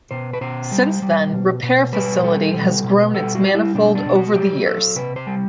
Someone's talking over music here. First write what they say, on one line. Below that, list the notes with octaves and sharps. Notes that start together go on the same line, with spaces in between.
Since then Repair facility has grown its manifold over the years.
B2 C5
B4
B2 C5
G3
G3
B2
B2
G3 B4
G3 A4
B2
B2
G3 A4
F#4
G3
E4
B2 D4
D4
B2
F#4
F#3 G4
F#3 A4
C3 B4
C5
G3